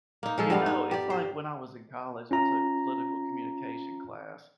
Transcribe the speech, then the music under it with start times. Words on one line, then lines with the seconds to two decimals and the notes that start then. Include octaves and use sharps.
you know, it's like when I was in college, I took political communication class.
0.23 A#3 D#4
0.38 F3 G#3 A4
0.50 G2 G3 B3 F5
0.66 D#4
0.91 G4 D5
1.10 C5
2.31 C#4 F4 A#5